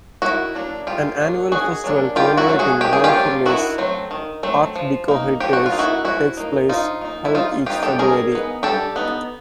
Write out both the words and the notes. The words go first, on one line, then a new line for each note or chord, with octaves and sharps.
An annual festival commemorating Ranfurly's Art Deco heritage takes place held each February.
D#3 E4 F#4
F#3 A#3 D4
D#3 F4 G4
F#3 A#3 D4
D#3 F#4 G#4
F#3 A#3 D4
D#3 F4 G4
E4 F#4
F#3 A3 C4
F#4 G#4
D#3 G4
G#4
F4 G4
F#3 A3 C4
D#3 E4 F#4
F#3 A3 C4
D#3
F#3 A3 C4
F3
A#3 D#4
F3 G4
F#4
F4
A#3 D#4
E4 F#4
F3 E4 F#4
A#3 D#4
F3 D#4 F4
A#3 D#4
E4
G3 D#4 F4
B3 D#4 F4 G4
G4 A4
G3 G#4 A#4
B3 D#4
G3 G4 A4
B3 D#4